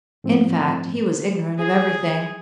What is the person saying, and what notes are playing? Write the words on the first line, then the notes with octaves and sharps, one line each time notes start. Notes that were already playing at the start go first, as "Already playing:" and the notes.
In fact, he was ignorant of everything.
A2 F3 C4
G#4